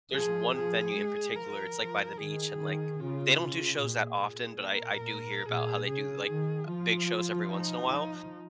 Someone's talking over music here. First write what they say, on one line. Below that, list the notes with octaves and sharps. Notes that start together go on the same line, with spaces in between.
there's one venue in particular, it's, like, by the beach, and, like, they don't do shows that often, but I I do hear about how they do, like, uh big shows every once in a while.
F3 G#4
F3 G#4
G#3
F3 A#4
F3
D#3 G#4
D#3
C#3 F4
C#3
A#2 G#4
A#2
A#4
A#2 G#4
C#3 G#4
D#3
F3 F4
D#4
F3